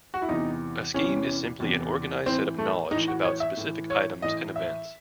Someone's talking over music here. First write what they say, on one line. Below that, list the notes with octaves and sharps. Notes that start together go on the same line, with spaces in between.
A scheme is simply an organized set of knowledge about specific items and events.
F#4
E4
E2 C3 E3 D#4
E2 C3 E3 C#4
E2 C3 E3
A2 E3 C4
A3
A2 E3 D#4
F#4
C#5
E5
A2 E3
C#5
A2 E3 D#5
E5